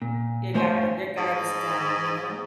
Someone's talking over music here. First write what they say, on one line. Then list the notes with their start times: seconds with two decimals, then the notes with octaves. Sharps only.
Your guarded Your guard is down, you know?
0.02 A#2
0.54 G2 A3 C5 C#5 G#5 C6
1.17 G#2